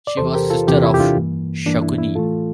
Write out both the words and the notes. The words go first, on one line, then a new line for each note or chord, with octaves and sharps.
She was sister of Shakuni.
D5
E2 C3 E3 A4 C5
G4 A#4
F4 A4
E2 C3 E3 E4 G4
E4
G4
D4 F4
G2 E3 A#3
G2 E3 A#3 D4
E4
E4
A2 E3 A3 F4 A4